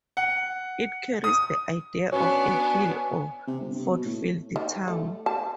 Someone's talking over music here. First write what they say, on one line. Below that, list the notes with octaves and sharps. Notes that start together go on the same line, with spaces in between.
It carries the idea of a hill or fortified town.
F#5
D#6
B3 C#4 D4 F#4 G#5
C3
G1
C3
B2
A2
D#3
A3
A5